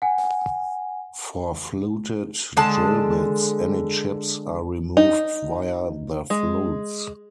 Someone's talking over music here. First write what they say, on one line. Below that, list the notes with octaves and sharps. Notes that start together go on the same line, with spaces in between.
For fluted drill bits, any chips are removed via the flutes.
F#5 G#5
D3 G#3 A5
D#4
G#3